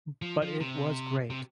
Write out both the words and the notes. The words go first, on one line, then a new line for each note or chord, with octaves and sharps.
But it was great.
F3
F3
C3
C3